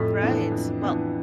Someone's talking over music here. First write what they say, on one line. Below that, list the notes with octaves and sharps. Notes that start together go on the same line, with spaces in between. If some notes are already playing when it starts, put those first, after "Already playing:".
Right, well,
Already playing: F2 A2
E3 B3 D4
F2
E3 B3 D4